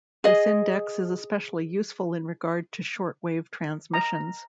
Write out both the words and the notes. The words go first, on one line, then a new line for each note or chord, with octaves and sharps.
This index is especially useful in regard to shortwave transmissions.
G#4 D#5
A#5